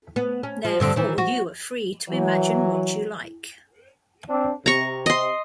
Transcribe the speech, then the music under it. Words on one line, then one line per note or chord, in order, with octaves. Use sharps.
Therefore you are free to imagine what you like.
B3
C#4
F3
G2 D3 C4
D#3 E3
F#4
E3 F#3
C4 D4
C3 A#5 C#6
D#5 C6